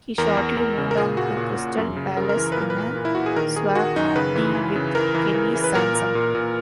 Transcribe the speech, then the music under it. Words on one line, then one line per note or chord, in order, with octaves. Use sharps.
He shortly moved on to Crystal Palace in a swap deal with Kenny Sansom.
E2 A#4
E2
E2
C#3
A#4
A#2 G#4
A#2 F#4
A#2
A#2
F#2
C#3
C#3 A#4
A#4
E3
B4
A#2 A#4
B4
A#2
A#2
E4
A#2 F#4
G#4
D#3 A#4
D#3 G#4
D#3 F#4
F#2 D#4
C#3 B4
E3
E3
C#3
E3 A#4
E3
E3
E3
B4
A#2 A#4
A#2
A#2
A#2